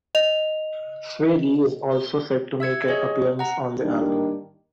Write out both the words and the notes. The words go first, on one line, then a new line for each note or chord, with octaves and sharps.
Swae Lee is also set to make an appearance on the album.
D#5 F7
E5 E6 G#6 C#7
G#4 C#5 D#5
F#5 A#5
D#3 G3 A#3 D4 D#4